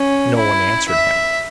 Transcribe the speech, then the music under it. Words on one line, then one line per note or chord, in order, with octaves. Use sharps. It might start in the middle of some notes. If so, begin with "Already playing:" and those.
No one answered him.
Already playing: C#4
E4
E5